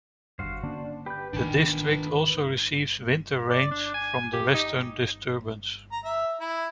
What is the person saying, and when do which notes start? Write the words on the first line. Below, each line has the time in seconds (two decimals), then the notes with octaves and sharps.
The district also receives winter rains from the western disturbance.
0.39 G1 G2 F#4 C5 F5
0.63 D3 A#3 C#4 D4
1.06 G4 B4 G6
1.33 E1 A1 D#3 D4 G#5
3.51 D5
3.71 D4
3.94 G#5
4.33 G4
4.54 D#4
5.92 A#5
6.05 E5
6.40 E4